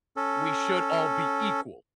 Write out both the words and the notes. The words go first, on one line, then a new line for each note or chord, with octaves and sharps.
we should all be equal,
C#4 A4